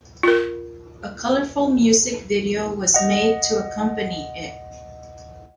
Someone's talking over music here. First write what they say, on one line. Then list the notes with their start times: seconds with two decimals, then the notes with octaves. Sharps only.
A colorful music video was made to accompany it.
0.23 F4 A#4
2.94 D#5 F#5